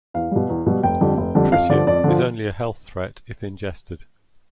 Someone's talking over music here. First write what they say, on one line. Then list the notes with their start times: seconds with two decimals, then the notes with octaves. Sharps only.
Tritium is only a health threat if ingested.
0.14 E2 F5
0.31 B2 G3
0.49 E2
0.66 B2 G3
0.83 F1 G5
1.01 F2 D3 G3
1.18 F1
1.35 F2 D3 G3
1.52 F2 F5
1.69 D3 F3 D5
1.87 F2 D5
2.04 D3 F3